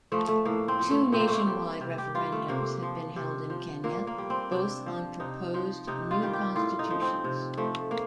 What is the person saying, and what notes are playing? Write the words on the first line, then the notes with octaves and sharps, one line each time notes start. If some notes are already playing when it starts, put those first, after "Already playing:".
Two nationwide referendums have been held in Kenya, both on proposed new constitutions.
F3 A3
A3
A2 A#3
C4
F3
A3
A#2 C4
A#3
A3
A#3
G3
C3
G4
G3 F4
A3
C3 A#3
F3
C3
F3
A#2 A#3
A#3
G3
C4
C3 D4
F3
C3 D#4
F3
C3 D#4
F4
D#3 G3
G4
A2 F4
D#4
F3
C4
C3
F3 A3
A#3